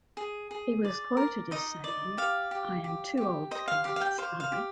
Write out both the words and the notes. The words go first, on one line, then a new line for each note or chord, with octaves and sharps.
He was quoted as saying, I am too old to command this army.
G#4
G#4
D5
A#4
D#4 D#5
D5
G4 F5
G4
G4
G4
C5 D#5
F5
G4 F5
F5
G5
C5 F5
F5
G4